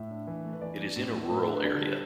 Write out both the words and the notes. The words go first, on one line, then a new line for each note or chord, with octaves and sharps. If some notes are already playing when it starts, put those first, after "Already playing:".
It is in a rural area.
Already playing: A2 E5
D4
E3
A3
B4
E3 D5
D4
A2
A3
A2 B4
A4
D4
B4
D3 D5
G3 A4